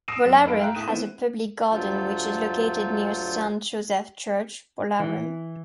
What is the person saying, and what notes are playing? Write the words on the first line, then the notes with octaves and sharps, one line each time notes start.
Bolarum has a Public Garden which is located near Saint Joseph Church, Bolarum.
D#6 E6 A#6 C7 D7 E7
F#2
F#2 D#4 A4 B4 F5 D7
E5 F5 G5 A#5 F#6
A2 A3 D#6 D#7 E7
D#3 E3 A3 B3 C4 E4
D2 G2 F#3 F4 A4 G6
E3